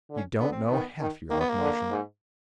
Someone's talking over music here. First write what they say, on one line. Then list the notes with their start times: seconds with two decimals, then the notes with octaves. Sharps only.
You don't know half your luck, Marsham....
0.10 D3
0.17 C#4
0.39 D3 B3
0.52 C4
0.66 D#3 B3
1.00 D#3
1.30 D#3 A#3
1.40 B3
1.49 A#3
1.60 D3
1.91 G#2